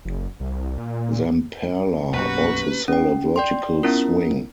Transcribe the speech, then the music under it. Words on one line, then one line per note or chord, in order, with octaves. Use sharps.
Zamperla also sell a Vertical Swing.
F#1
C2
A#2
B1 F#2 B2 A#3 C#4 F#4 G4 B4
C#4 G5
D5 G5 C6
B3 C#4 E4 F4 A#4